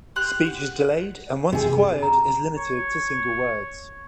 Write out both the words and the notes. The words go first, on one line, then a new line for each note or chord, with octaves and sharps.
Speech is delayed and once acquired is limited to single words.
G4 C6 F#6
F#5
C3 G#4
A#5
C#5